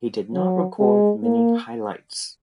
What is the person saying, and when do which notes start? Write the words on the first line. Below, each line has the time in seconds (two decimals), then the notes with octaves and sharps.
He did not record many highlights.
0.34 F#3
0.79 G#3
1.24 A#3